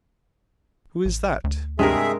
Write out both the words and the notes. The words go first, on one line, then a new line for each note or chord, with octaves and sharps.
Who is that?
A1
D2
G2 C3 G#3 G#4 A#4 E5